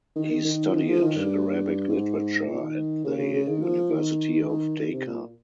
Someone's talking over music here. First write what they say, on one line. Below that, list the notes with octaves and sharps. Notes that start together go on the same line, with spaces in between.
He studied Arabic literature at the University of Dhaka.
D#3
D#3
D#3
F3
D#3
F3
D#3
G2
G#2
A#2
D#3
C#3
C#3
C#3
D#3
F3
D#3
D#3
D#3
C3
A#2